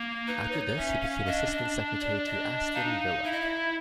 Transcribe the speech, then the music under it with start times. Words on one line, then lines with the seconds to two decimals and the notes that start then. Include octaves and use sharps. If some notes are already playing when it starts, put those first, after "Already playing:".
After this he became assistant secretary to Aston Villa.
Already playing: A#3
0.27 D#4 B4
0.52 C#5
0.77 C#4 E5
1.02 F5
1.26 D4 D#5
1.51 D#5
2.00 D5
2.25 D#5
2.74 D#4 F5
3.24 E4 E5
3.32 D#5
3.41 E5